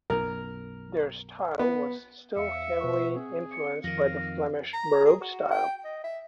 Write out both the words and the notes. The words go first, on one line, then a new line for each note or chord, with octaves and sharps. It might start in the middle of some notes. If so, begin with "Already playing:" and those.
Their style was still heavily influenced by the Flemish Baroque style.
B1 F#2 A#4
B3
E2 E5 F5 C#7
B2 B4 F#5 C#6
C4 G#4
C#7
F2 D#3 F5 A#6
A#5
G#4
F#4
G5
D#5
E5